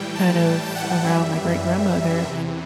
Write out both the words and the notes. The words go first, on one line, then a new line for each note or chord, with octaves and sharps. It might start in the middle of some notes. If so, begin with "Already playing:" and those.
kind of around my great-grandmother,
Already playing: A2 E3 G3 G5
A5
G5
F#5
F#2 E3 G3 E5
E2 C3 E3